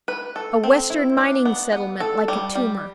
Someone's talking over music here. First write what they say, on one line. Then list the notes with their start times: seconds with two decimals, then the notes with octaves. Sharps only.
A Western mining-settlement like a tumor.
0.08 B4
0.36 A4
0.63 C4
0.90 E4
1.17 D4
1.45 B3
1.72 B3
2.00 A4
2.28 G3
2.55 G3